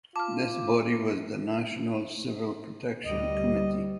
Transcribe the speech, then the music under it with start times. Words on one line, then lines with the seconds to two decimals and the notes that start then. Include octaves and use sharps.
This body was the National Civil Protection Committee.
0.16 F4 A5 D6 F6
3.05 D2 G3 D#5